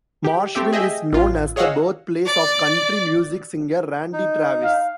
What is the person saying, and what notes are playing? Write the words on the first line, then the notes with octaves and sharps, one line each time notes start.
Marshville is known as the birthplace of country music singer Randy Travis.
G4
A3 C4 G4 E5
G#4 D#5 E5 G5
A1 F4
G#4 C#5 D#5 F5 F#5 E6
D5
D#4
F5